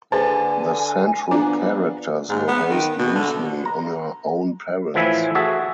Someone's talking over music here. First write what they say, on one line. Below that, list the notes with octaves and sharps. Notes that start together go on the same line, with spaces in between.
The central characters were based loosely on her own parents.
D3 G#4 B4 C5 G#5 A5
F3 B3 D4 A#5 D6
G#2
B3
D#3
B2
D3
A#5
A2 E3 F3 E4 E5 G#5
F#4 G#4 A4 E5